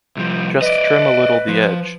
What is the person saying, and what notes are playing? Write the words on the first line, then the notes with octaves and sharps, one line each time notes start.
Just trim a little the edge.
C2 F3
B4 D5 D#5
F3